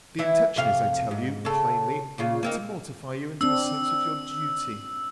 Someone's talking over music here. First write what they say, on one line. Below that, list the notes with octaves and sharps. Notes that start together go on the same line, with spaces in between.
The intention is, I tell you plainly, to mortify you into a sense of your duty.
E3 E4
F2 C3 F5
G#2
C#3 A4
A#2 C#3 F4
A#3 C4 D#4
C4 D4 E6